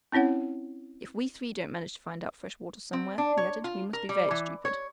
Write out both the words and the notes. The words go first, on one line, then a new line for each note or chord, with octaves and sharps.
"If we three don't manage to find out fresh water somewhere," he added, "we must be very stupid."
C4 C#4 E4 C#5 F#5
C4
D4
C#5
F4
A#4
G3
E3
C#5